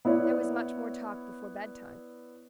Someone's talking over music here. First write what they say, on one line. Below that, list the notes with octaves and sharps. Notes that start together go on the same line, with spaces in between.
There was much more talk before bedtime.
B3 E4 C#5 D5